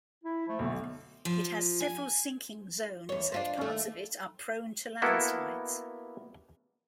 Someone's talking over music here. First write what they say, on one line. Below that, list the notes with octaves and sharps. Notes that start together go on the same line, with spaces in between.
It has several sinking zones and parts of it are prone to landslides.
E4
F3 A3
B1 B2 D3 A3
F3
G#5
E2 C#5
D4 F4 C5
D#2 A3
A#3 B3 E4 F#4 A4